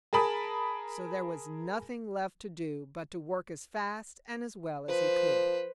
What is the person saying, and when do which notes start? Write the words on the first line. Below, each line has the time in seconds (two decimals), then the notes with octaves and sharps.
So there was nothing left to do but to work as fast and as well as he could.
0.13 G#4 A#4 A5 B5 D#6
4.88 F3 B4 C5